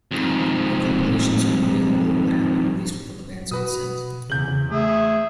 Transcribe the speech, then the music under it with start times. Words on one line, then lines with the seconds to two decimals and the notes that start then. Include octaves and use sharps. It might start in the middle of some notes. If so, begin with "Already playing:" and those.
More compilations are available but have been released without the band's consent.
0.11 F2 G#2
3.51 B2 F#4 B4 D#6
4.30 E2 C#3 G6 F#7
4.47 C#3
4.71 A3 G#4 E5